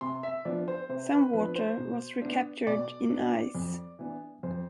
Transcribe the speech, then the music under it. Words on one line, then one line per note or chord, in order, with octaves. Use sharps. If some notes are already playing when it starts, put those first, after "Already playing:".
Some water was recaptured in ice.
C3 C6
E5
F3 B3 D4 D5
C5
C3 C5
B4
F3 B3 D4 B4
C5
B2
B3 D4
B2 D5
B3 D4
F2
E3 B3 D4
F2 C5